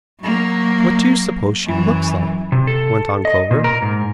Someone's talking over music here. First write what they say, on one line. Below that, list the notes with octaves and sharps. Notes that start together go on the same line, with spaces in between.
"What do you suppose she looks like?" went on Clover.
F#3 A#3
F#2 E3
C3
A4
D#5
A#2
A#4
G#2